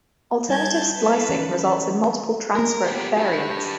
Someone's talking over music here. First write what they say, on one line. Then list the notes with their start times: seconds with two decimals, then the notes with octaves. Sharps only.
Alternative splicing results in multiple transcript variants.
0.49 G3 E4 A5 G6 G#6
0.94 A4 B4
1.29 E3 C#4
2.56 A#4
2.86 B3 G4
3.18 G4 B4